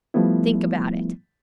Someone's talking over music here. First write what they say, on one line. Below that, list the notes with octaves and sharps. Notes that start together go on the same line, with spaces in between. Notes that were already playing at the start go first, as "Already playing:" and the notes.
Think about it.
F3 G3 A3 B3 E4